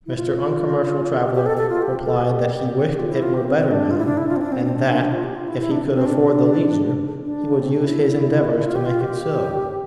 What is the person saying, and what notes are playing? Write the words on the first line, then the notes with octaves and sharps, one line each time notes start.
Mr. Uncommercial Traveller replied that he wished it were better known, and that, if he could afford the leisure, he would use his endeavours to make it so.
E4
F4
G4
G4
A4
A4
F4
G4
A4
G4
F4
E4
F4
G4
C4
C4
D4
F4
E4
D4
E4
F4
C4
D4
C4
C4
D4
D4
D4
F4
G4
F4
E4
E4
D4
D4
C4
D4
D4
C4
D4
E4
F4
G4
F4
G4